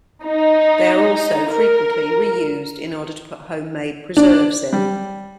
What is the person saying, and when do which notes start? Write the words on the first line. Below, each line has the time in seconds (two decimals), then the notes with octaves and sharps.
They are also frequently re-used in order to put home-made preserves in.
0.24 D#4
1.52 A#4
4.17 D4
4.73 G3